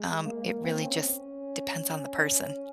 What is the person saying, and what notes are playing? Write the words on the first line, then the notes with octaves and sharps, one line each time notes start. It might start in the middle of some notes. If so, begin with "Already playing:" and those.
um, it really just depends on the person.
Already playing: G#3
A#3
A#3
C4
C#4